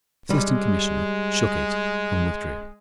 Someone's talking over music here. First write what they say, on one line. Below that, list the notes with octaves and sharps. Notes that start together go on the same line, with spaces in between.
The Assistant Commissioner shook it, and withdrew.
G3 G#3